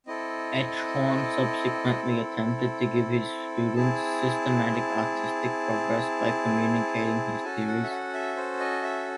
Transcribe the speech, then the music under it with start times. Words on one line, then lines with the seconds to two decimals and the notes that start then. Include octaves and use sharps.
Eichhorn subsequently attempted to give his students systematic artistic progress by communicating his theories.
0.06 C4 E4 A4 D#5
3.75 C4 E4 G#4 A5
7.44 C#4 F#4 A4 G#5
7.68 F#5
7.84 E5
7.91 F#5
8.14 E5
8.37 C5
8.60 D#5
8.83 E5